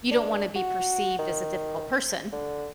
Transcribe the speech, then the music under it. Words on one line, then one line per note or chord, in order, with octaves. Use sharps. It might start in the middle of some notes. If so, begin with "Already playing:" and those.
you don't wanna be perceived as a difficult person.
D4
F#4
D#3
D3